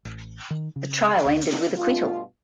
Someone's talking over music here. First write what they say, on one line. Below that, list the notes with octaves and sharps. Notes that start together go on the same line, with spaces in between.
The trial ended with acquittal.
A1
D#3
C#3
D2
G2 B2 A3 F4